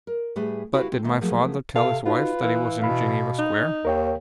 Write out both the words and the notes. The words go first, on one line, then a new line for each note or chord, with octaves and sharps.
"But did my father tell his wife that he was in Geneva Square?"
A#4
A2 G3 A3 G#4 B4 G#5
E4 F#4 G4 B4 E5 F5
C4 F4 A4
D#3 A3
F3 F#3 A3 A#3 F4 G#4
C3 A4 F5
D#4 F4 F#4 B4
E3 F5
B2 F5 B5
D#4
D#2 A#4 C#5 G5